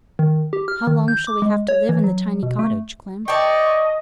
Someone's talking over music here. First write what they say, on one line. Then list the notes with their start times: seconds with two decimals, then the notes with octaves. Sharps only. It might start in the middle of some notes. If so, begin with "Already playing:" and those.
"How long shall we have to live in the tiny cottage, Clym?"
0.19 D#3
0.53 G4
0.68 F6
0.87 D#3
1.08 G6
1.27 D6
1.42 G#3
1.68 C#5
1.89 E3
2.04 F#3
2.43 B2
2.59 A3
3.28 D5 D#5 G5 A5 C#6